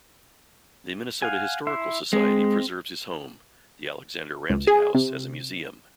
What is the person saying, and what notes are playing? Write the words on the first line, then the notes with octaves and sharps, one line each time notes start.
The Minnesota Historical Society preserves his home, the Alexander Ramsey House as a museum.
F5 F#5 G#5
E4 E5 C6
G#3 C4
C#2
G#4
C3